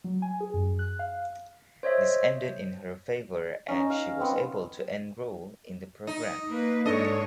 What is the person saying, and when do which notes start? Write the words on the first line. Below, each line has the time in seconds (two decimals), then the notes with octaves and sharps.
This ended in her favor and she was able to enroll in the program.
0.04 F#3
0.22 G#5
0.40 G#4
0.54 F#2
0.79 F#6
0.99 F5
1.83 C5 C#5 D#5 E5
3.68 C#4 D#4 D#5
3.90 F5
4.20 B3 C4
6.07 D#4
6.49 A#3 B4
6.86 G#2 G#3 D4 A4 C#5 D#5